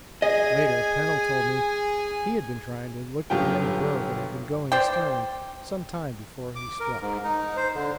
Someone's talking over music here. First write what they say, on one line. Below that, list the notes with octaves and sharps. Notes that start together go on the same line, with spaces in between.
Later Pennell told me he had been trying to look behind the berg and had been going astern some time before he struck.
G#4 D#5 G#5
G1 F#2 F4 G4 G5
C5 D5 G5
D6
A#4
G#2
D#4
C5
D3